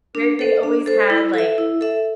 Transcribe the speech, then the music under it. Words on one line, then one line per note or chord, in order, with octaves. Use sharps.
Where they always had, like,
D4
A4 C5
D4
A4 C5
E4
A4 E5
E4
A4 E5